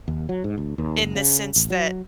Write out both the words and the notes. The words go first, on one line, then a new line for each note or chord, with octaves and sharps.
in the sense that
D#2
F#3
G#2
D2
D#2
F#1
C#3
A1
F#3